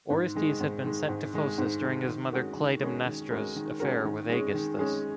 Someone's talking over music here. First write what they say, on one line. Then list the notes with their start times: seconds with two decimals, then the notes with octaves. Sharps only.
Orestes had been sent to Phocis during his mother Clytemnestra's affair with Aegisthus.
0.10 G#2
0.35 D#3 G#3
0.61 G#2
0.84 D#3 G#3
1.09 G#2
1.33 D#3 G#3
1.58 G#2
1.83 D#3 G#3
2.07 D#3
2.32 G#3 C#4 F#4 A#4
2.56 D#3
2.81 G#3 C#4 F#4 A#4
3.06 D#3
3.30 G#3 C#4 F#4 A#4
3.56 D#3
3.80 G#3 C#4 F#4 A#4
4.04 D#3
4.30 G#3 C#4 G#4
4.54 D#3
4.79 G#3 C#4 G#4